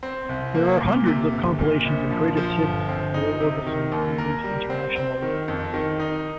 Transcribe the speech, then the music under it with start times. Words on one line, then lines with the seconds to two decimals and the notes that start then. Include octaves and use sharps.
There are hundreds of compilations and greatest hits of Roy Orbison released internationally.
0.03 C4
0.29 C2
0.54 A#3
0.81 A#2
1.07 C3
1.33 G1
1.59 A#2
1.85 A#1
2.11 F3
2.37 F3
2.62 G1
2.89 C4
3.14 D#4
3.40 C3
3.67 D#3
3.92 D#2
4.18 A#4
4.44 G3
4.70 C4
4.96 C4
5.22 D#3
5.48 F2
5.74 D#3
6.00 D#4